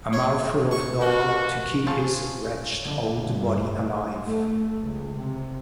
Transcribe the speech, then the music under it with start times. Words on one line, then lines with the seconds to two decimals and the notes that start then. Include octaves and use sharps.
A mouthful of dal to keep his wretched old body alive.
0.13 C#5
0.71 C#6
1.01 A#3 F#4
1.87 F4 G#4 C5 F5 A5 C#6
2.83 D3
3.22 G2
3.63 A2
4.26 A3
4.80 C#2
5.15 C3